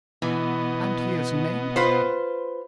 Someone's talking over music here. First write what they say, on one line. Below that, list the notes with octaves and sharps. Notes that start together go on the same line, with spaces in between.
"And he is named?"
B2 E3 B3 D#5
F4 B4 C5